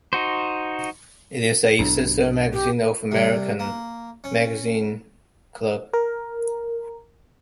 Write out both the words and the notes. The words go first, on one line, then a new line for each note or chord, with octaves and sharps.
It is a sister magazine of American magazine "Club".
D#4 F#4 C5
B1 G#2 D4
G4
C3 G3
A#3
C#4
A#4